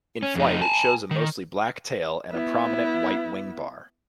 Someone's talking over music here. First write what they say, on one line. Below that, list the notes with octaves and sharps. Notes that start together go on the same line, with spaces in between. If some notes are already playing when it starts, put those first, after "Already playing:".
In flight it shows a mostly black tail and a prominent white wingbar.
C#4
F2 D#4
G#5 A5
D#3
B3 E4